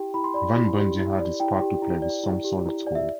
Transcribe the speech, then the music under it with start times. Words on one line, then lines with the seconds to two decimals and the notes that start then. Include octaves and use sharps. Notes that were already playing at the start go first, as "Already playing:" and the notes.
Van Bunge had his part to play with some solid scores.
Already playing: E4 G4 G5
0.14 E4 B5
0.24 C6
0.34 D5 B5
0.56 E4
0.77 G4
0.98 E4
1.19 D5
1.40 E4 G5
1.61 G4
1.82 E4
2.02 D5
2.23 E4
2.44 G4
2.65 E4
2.87 D5
2.95 E5